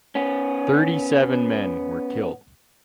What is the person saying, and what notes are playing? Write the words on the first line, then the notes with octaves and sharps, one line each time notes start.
Thirty-seven men were killed.
B3 C#4